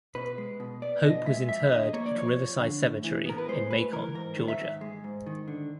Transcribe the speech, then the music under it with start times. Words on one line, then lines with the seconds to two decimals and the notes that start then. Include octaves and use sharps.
Hope was interred at Riverside Cemetery in Macon, Georgia.
0.15 B2 B4
0.38 G#3
0.60 B2
0.82 B3 D5
1.04 B2 D#5
1.26 G#3 E5
1.49 F2 E5
1.71 D3 D#5
1.93 A#3 C#5
2.06 D5
2.15 F3 C#5
2.37 F2
2.60 D3
2.82 A2
3.04 E3
3.26 B3 A#4
3.38 B4
3.48 G#3 C5
3.71 A2 B4
3.93 E3 A#4
4.14 G#2 A#4
4.37 D#3
4.48 E5
4.59 G#2
4.81 G#3
5.04 G#2
5.26 D#3
5.48 D3